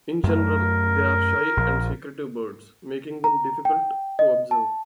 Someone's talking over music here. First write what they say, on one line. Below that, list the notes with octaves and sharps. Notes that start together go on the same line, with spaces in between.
In general they are shy and secretive birds, making them difficult to observe.
F#2 A3 A#4
A#1
A#5
G5
D#5
A5